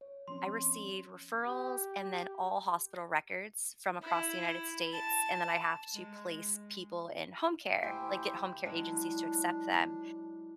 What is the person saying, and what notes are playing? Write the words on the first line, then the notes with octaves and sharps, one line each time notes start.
I receive referrals and then all hospital records from across the United States, and then I have to place people in home care, like get home care agencies to accept them.
C#5
F3 C4 C#4 C6
G4
E4
A5
G#3
D2 E4 G4 C5 G5 G#5
F#3 G#3 D4 E4